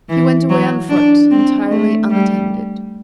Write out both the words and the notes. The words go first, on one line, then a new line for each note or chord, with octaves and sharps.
He went away on foot, entirely unattended.
E3
F#3
D4
C4
A3
G3